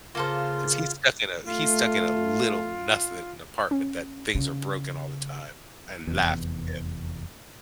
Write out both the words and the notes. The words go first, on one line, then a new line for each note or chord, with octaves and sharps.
'Cause he's stuck in a he's stuck in a little nothing apartment that things are broken all the time. I laugh at him.
C#3 A#3 F4 A4 C5
A3 F4
C#4
C#3
F1 E2